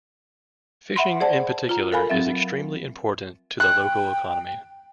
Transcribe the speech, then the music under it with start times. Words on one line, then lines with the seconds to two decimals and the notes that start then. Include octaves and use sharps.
Fishing in particular is extremely important to the local economy.
0.96 E5 F#5 B5 C6
1.20 G#4 C5 D5 F#5 A5
1.69 F4 A#5
1.92 A4 A#4 F5 G#5 B5
2.10 F#3 C4 E5
3.60 G5 F#6